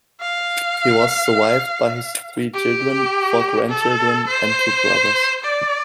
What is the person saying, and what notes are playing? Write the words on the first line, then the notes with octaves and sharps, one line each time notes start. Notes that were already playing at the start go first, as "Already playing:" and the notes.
He was survived by his three children, four grandchildren, and two brothers.
F5
G4
A4
C5
D5